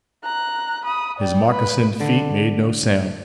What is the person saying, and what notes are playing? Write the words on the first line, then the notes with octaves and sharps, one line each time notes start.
His moccasined feet made no sound.
A#5 F#6
B5 D#6
D5 G5
B4 B5
D3